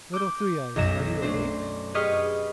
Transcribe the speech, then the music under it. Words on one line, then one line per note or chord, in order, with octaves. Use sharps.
'Little Three-eyes, are you awake?
D6 G6
B1 F#2 A#6 E7
A3 D4 C5
G4 G#4 B4 D#5 C#6 F6